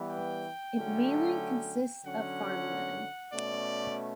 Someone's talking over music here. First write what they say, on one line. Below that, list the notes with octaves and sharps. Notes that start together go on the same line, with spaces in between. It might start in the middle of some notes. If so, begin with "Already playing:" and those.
It mainly consists of farmland.
Already playing: E3 G3 B3
G5
D3 F#3 A3 C#4
D3 F#3 C#4 F#5
B2 A3 C#4 D5